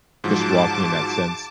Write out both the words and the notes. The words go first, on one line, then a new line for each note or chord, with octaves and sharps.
just walking in that sense
G#2 F3 F#3 A5 D6